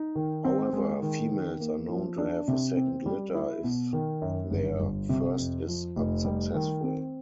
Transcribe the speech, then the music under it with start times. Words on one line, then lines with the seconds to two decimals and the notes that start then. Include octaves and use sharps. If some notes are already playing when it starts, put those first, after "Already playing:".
However, females are known to have a second litter if their first is unsuccessful.
Already playing: D#4
0.15 D#3
0.44 C4
0.73 G#3
1.02 D#3
1.31 D#3
1.60 A#3
1.89 F3
2.18 D4
2.48 C3
2.77 C4
3.06 G3
3.35 E4
3.64 B2
3.93 D#3
4.22 F#2
4.51 G1
4.80 G1
5.09 C3
5.38 F2
5.67 F3
5.96 F1
6.25 G3
6.54 D#3
6.83 C4